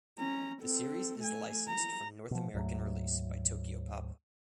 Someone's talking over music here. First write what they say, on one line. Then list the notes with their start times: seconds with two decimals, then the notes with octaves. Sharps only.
The series is licensed for North American release by Tokyopop.
0.19 C#4 A#5
0.62 C4 A4
1.19 A3 G#5
1.68 A#5
2.31 B2 F3
2.54 D2 G#2 F#3 A3